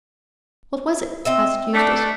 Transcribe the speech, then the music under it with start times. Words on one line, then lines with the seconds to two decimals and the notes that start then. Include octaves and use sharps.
"What was it?" asked Eustace.
1.25 C4 D#5 E5
1.73 A3 D4